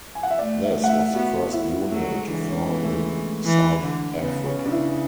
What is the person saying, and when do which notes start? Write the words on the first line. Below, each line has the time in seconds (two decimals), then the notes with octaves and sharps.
This was the first union to form in South Africa.
0.15 G#5
0.23 F#5
0.31 E5
0.38 A3 D5
0.64 E5
0.76 A3
0.84 F#5
0.89 E5
1.15 B3 F#4
1.53 E4
1.91 F#3 A3
2.03 A3
2.11 G#3
2.29 E3 D4
2.48 C#4
2.68 B3
2.84 A3
2.94 G#3
3.45 E3
3.82 D3
4.20 C#3 B3
4.46 C#4
4.59 C#3
4.66 D4
4.72 E4